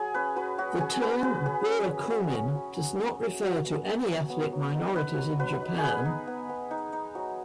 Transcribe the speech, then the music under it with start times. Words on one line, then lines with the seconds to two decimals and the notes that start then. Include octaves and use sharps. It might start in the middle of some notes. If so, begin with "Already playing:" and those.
The term burakumin does not refer to any ethnic minorities in Japan.
Already playing: F#3 G#4
0.14 C#4 B4
0.36 F#3 B4
0.58 F#3 F#4
0.80 C#4 G#4
1.02 C#4 B4
1.24 F#3 B4
1.46 C#4 G#4
1.68 C#4
1.90 C#4
2.11 F#3
2.33 C#4
2.55 F#3
2.77 F#3
2.99 C#4
3.21 F#3
3.43 F#3
3.65 B3
3.87 B3
4.08 F#3
4.30 B3
4.52 F#3
4.74 D#4
4.96 F#3 B4
5.18 F#3
5.39 F#3 B4
5.62 D#4
5.78 G#4
5.84 B3 B4
6.05 D#4
6.27 B3
6.49 B3
6.71 D#4
6.93 D#4
7.15 F#3